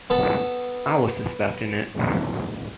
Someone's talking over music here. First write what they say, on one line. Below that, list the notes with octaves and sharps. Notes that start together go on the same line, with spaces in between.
I was suspecting it!
B3 A4